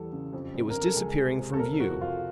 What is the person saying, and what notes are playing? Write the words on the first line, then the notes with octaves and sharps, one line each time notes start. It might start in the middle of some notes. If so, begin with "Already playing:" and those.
It was disappearing from view.
Already playing: E2 G3 A4
C#3
F2
F2
A#4
C#3
A4
C#2 G#4
G3
C3
A4
F1 A#4
F3 F#4
F2 F4